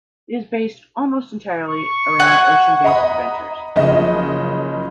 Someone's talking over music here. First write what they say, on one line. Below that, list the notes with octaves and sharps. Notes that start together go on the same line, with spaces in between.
It is based almost entirely around ocean-based adventures.
C#6
F#5 G#5
D#5 A#5 B5 D#6
F#1 C#3 F3 D#5